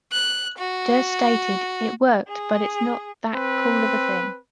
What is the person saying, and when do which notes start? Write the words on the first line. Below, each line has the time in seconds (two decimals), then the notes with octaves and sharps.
Durst stated, It worked, but it's not that cool of a thing.
0.12 F#6
0.58 F#4
2.27 G#4
3.32 C4 B4